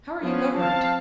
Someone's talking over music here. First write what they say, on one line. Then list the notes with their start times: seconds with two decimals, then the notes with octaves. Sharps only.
How are you governed?
0.22 F3 B3 C#4 B4
0.55 F3 C4 F5 A5